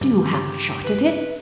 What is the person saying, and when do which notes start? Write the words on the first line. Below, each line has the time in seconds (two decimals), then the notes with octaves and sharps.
Do have a shot at it.
0.01 G2 C#3 F3 G4
0.84 B4